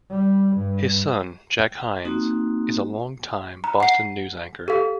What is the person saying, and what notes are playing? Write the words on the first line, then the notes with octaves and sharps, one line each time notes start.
His son, Jack Hynes, is a longtime Boston news anchor.
G3
G2
A#3 C4 D#4 F#4
A#5
F#5 C7
G4 A4 F5